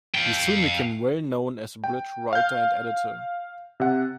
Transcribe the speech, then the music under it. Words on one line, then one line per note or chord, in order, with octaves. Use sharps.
He soon became well known as a bridge writer and editor.
F5 G5
G5
F5 G6
C3 F#5